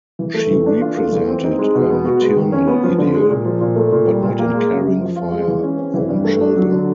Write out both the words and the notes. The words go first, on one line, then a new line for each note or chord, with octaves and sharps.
She represented a maternal ideal, but not in caring for her own children.
E3
A3
E3
D4
F4
A3
E3
C4
D#4
G#3
B2
B3
F#4
G#3
D#3
C#4
B3
F3
D3
G#3
A#2
F3
A#2
A3
A#2
G3
A#2
A#3
G#3
C#3
F#2
F3
F4
G#3
E3
C#4
C4
E3
G2
A3
D4
F#3
D3